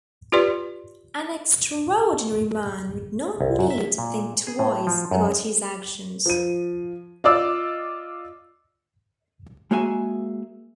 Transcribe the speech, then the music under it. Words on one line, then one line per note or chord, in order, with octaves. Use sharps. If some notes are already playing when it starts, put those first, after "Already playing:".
An extraordinary man would not need to think twice about his actions.
F4 G4 B4 D5 C6
C2
F#2
E5
A#2
G#4
A2
F3
F#2
F3 D#7
F4 D5 D#5 D6 E6
G#3 A#3 F#4 G#4 E5 G#5